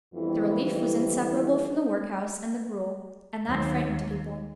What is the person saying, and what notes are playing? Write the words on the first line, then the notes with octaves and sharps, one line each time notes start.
The relief was inseparable from the workhouse and the gruel; and that frightened people.
F2 D3 E3 G3 B3 E4
D#2 F#3